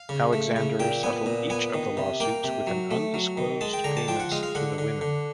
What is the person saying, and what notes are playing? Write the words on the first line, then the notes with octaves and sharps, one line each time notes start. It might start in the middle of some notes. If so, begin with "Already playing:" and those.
Alexander settled each of the lawsuits with an undisclosed payments to the women.
Already playing: F5
C#3
A3
C#3
A#2 G5
B3 G#5
A#2
B3 G#5
D#3
C3
A#3 G5
C3
F#3
A3
F#3
D#3
G#3 A5
G5
D3 A#5
A5
F3 G5
F#5
G#3 F5
F5
D3 F#5
D3
D3